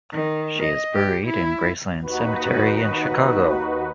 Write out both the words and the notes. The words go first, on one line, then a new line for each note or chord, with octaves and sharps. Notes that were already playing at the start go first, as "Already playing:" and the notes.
She is buried in Graceland Cemetery in Chicago.
D#3
D#5
G4
E4
D#2 D#4 F#4 B4